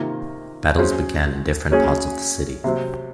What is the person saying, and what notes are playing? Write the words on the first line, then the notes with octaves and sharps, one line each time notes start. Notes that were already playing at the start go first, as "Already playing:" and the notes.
Battles began in different parts of the city.
Already playing: C3 D#3 A#3 F4
F#3 C#4 G#4 C5
F#3 C#4 G#4 C#5
C3 F#3 C4